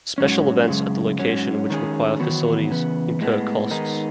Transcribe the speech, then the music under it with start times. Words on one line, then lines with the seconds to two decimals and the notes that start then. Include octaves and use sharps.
Special events at the location which require facilities incur costs.
0.18 G#2 D#3 F#3 C#4
0.68 F#2 C#3 G#3
1.19 G#2 F#3 C#4
1.70 D#3 G#3 C#4 G#4
2.20 E2 D#3 F#3 B3 F#4
2.70 C#3 E3 B3
3.21 A2 G#3 B3
3.71 D#3 G#3 B3 D#4